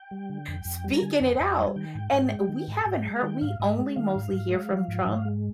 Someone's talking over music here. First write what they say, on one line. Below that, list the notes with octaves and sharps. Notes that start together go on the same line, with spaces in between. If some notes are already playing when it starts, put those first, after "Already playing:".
speaking it out. And we haven't heard we only mostly hear from Trump
Already playing: G5
G3
D3
F2
F2
G3
A#5
D3 G#5
F2
F2
G3
D#3 G5
G#2
G#2
G#3
D#3
G#2
G#2
G#3
F5
D#3 G5
G#2 F5
G#2 D#5
G#3
D#3 F5
G#2
G#2
G#3
F3
G#2
G#2
G#3